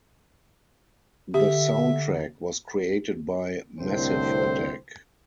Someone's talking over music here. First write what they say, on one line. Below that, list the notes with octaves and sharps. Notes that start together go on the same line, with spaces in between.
The soundtrack was created by Massive Attack.
D3 G4 E5
C2 A2 D3 C4 C5